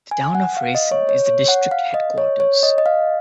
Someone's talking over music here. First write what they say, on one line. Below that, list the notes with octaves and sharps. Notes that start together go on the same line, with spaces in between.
The town of Raisen is the district headquarters.
G#5
F#5
F5
D#5
C#5
C#5
C#5
F#5
F5
D#5
C#5
C#5
D#5
D#5
F5